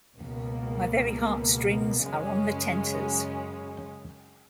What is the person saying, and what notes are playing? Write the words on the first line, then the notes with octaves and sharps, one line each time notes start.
My very heart-strings Are on the tenters.
C#2 B2 A#3
F#2 C#3 G#3 C#4